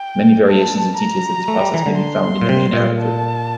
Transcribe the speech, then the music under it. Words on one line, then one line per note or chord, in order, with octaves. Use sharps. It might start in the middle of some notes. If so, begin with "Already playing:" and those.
Many variations and details of this process may be found in the main article.
Already playing: G5
A5
A#5
A3
G3
E3
D3
C6
A#2
C3
A#2
A5